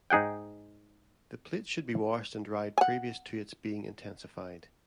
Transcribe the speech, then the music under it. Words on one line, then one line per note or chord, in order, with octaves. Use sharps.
The plate should be washed and dried previous to its being intensified.
G#2 D#4 G#4 F#5 G5
F#5 G#5